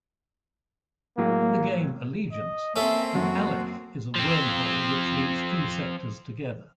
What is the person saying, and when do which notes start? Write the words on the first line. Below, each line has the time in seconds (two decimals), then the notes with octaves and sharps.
In the game "Allegiance" an Aleph is a wormhole which links two sectors together.
1.18 A2 F#3 G#3 A#3
2.32 D#5
2.76 A#3 C4 C#4 A4 E5
3.15 F#2 F#4
4.15 F3 C4